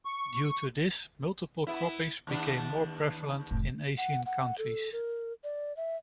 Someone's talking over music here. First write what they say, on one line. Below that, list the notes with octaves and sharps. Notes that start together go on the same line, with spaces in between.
Due to this, multiple cropping became more prevalent in Asian countries.
C#6
B3 E4
D#2 B3 D4
F1 A2
F#5
F#5
A4
A#4
D5
E5